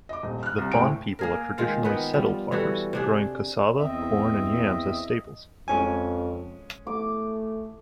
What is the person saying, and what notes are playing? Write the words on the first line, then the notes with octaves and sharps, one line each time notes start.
The Fon people are traditionally settled farmers, growing cassava, corn and yams as staples.
D#5 D6
D#1
F6 F#6
C2
D#1 A2 C5 G5 G#5 D7
A#3 G#4 A#4
D#3 G#3 F4
D#3 B3 B4
F3 G3
E3 G3 F#4 A4
C3 D4 G#4
E2 C4 D#5 E5
F2 G#3 C#4 G#5
A3 D6